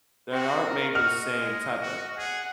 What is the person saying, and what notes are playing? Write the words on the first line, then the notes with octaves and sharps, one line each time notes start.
They aren't made with the same type of,
C4 F#4
A#4
F#4 D#5 F6
G#3
F#4
G#4 F#5